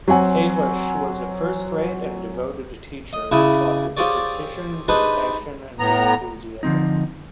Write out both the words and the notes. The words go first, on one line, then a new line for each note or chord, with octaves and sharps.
Kalish was a first-rate and devoted teacher, who taught with precision, compassion and enthusiasm.
F#3 C4 F#5 G#5
D#5
C#3 D4 E4 G#4
C4 F4 G4 G#4 C#5 D5
D4 D#4 G4 G#4 B4 C5
A2 B3 A#5
D3 F3 C4 D#4